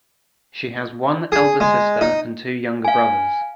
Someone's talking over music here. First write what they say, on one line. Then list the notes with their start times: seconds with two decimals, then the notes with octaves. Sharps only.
She has one elder sister and two younger brothers.
1.32 G#4
1.60 G#3
2.01 D#4
2.85 F5 G#5